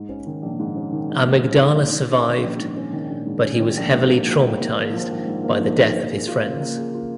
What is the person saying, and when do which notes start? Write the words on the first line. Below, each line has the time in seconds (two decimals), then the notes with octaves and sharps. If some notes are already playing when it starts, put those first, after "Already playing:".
Amygdala survived, but he was heavily traumatized by the death of his friends.
Already playing: G#2
0.09 C#4
0.26 D#3
0.42 A#1
0.59 G#2
0.76 C#4
0.92 D#3
1.09 A#1
1.26 G#2
1.42 C#4
1.60 D#3
1.76 A#1
1.92 G#2
2.10 C#4
2.27 D#3
2.43 A#1
2.60 G#2
2.76 C#4
2.93 D#3
3.10 A#1
3.26 G#2
3.42 C#4
3.59 D#3
3.77 A#1
3.94 G#2
4.10 A#3
4.27 F3
4.43 G#1
4.60 G#2
4.77 A#3
4.93 F3
5.11 G#1
5.27 G#2
5.43 A#3
5.61 F3
5.77 G#1
5.93 A#3
6.10 G#4
6.27 F4
6.43 C#3
6.60 A#3
6.76 G#4
6.94 F4